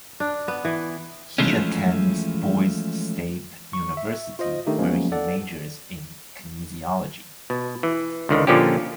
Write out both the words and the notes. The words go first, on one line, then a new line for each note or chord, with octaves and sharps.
He attends Boise State University where he majors in kinesiology.
D4
B3
E3
E3 F3 G#3 A3 C#4
C#6
E5
F4 C5 D#5
D#3 A3 D4 D#4 G4
F3 F#3 G#3 A#3 B3 C#4
A4 D5 F#5
B2
E3
C#2 D3 D#3
A#2 D3 F3 C#4 G4